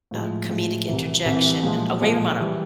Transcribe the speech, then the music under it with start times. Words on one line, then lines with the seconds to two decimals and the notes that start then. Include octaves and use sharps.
uh, comedic interjection. Oh, Ray Romano,
0.11 A2 F3 G#3
0.50 A2 F3 G#3
0.88 C2 C3 E3
1.26 C2 C3 E3
1.63 A#2 F3 G#3
2.02 A#2 F3 G#3
2.40 E3 G3